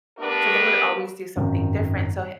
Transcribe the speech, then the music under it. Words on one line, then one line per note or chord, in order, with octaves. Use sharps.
so they would always do something different, so h
A3 B3 D4 G4 A#4 B4
G#1 F#2 D#3